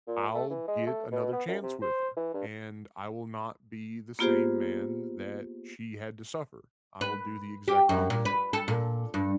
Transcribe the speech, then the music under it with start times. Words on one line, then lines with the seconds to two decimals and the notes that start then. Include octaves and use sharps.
I'll get another chance with her, and I will not be the same man that she had to suffer. I will do the exact opposite,
0.07 A#2
0.34 A3
0.50 E3
0.68 G#3
0.87 A3
1.12 B2
1.33 B3
1.48 F#2
1.63 C3
1.81 C5
2.17 E3
2.34 G2
4.19 A#3 B3 F4 G4 G#4 C5
7.01 B4
7.68 G4
7.89 F#2
8.10 A#2
8.25 B4
8.53 A4
8.68 A#2
9.14 G2